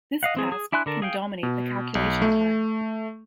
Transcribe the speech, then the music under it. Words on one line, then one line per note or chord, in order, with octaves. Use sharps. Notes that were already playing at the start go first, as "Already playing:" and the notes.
This task can dominate the calculation time.
D#5 F5 F#5
E3 C4 G#4
G#4
D4 E4 G#5 C6 F#6
D3 A#4 A5
G#4 F5 G5
B2
B1
A3